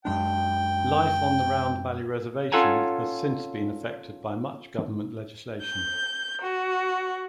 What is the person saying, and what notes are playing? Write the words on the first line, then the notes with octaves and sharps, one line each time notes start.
Life on the Round Valley Reservation has since been affected by much government legislation.
F#2 G#3 D4 G5
C#4 F4 A4 F#5 G#5 A#5
G6
F#4